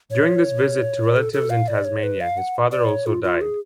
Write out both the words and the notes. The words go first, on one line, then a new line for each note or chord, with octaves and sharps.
During this visit, to relatives in Tasmania, his father also died.
C#5
A4
A4
F5
D5
C#5
B4
F5
F#5
D5
C#5
F4
F4
G#4